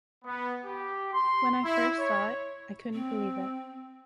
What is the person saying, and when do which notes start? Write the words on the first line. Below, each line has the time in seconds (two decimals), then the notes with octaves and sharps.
When I first saw it I couldn't believe it.
0.25 B3
0.65 G4
1.12 C6
1.63 E4
1.98 C#5
2.93 C4